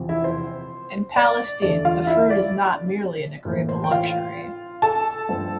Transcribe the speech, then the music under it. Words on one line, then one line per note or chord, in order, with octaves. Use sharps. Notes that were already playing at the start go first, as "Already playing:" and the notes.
In Palestine, the fruit is not merely an agreeable luxury.
Already playing: E2 C3 F3 C4
E4 E5
C5
D5
E2 D3 A3 D5
F4 F5
E4 E5
D5
A2 E3 A#3
C5
G5
F4 F5
A4 A5
G2 F3 C4